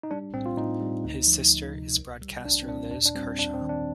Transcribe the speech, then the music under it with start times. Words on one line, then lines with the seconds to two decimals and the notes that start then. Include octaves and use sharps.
His sister is broadcaster Liz Kershaw.
0.03 D#4
0.11 G3 D4
0.34 A2 C4
0.46 F4
0.57 A2 D#4
0.81 G3
1.04 D2
1.27 F3
1.51 D2
1.75 C3
1.98 C2
2.21 G3
2.45 C2 D4
2.62 C4
2.68 A#2 D4
2.91 D#2 D4
3.05 D4
3.15 G3 C4
3.39 D#2 D4
3.54 C4
3.62 D#3
3.69 D4